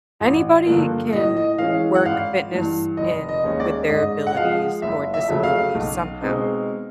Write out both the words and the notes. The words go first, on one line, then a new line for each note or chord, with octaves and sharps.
anybody can work fitness in with their abilities or disabilities, somehow
A1
G2 D3 F3 A#3
A2 D#5
D#5
E3 G#3 C#4 F5
F#5
G#1 F5
G2 E3
F1 D#5
D#5
D#2 D#3 G#3 C#4
D5
G#2 D#5
F#5
F3 G#3 F5
F#1 E5
E5
F2 C#3 F#3 A3
F5
B1
B2 G#3 C4 D#4